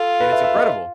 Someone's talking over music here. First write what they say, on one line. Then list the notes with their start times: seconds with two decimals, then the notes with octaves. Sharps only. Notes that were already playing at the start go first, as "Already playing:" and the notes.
And it's incredible.
Already playing: F4 A4
0.20 B4
0.32 E5
0.44 E5
0.56 D#5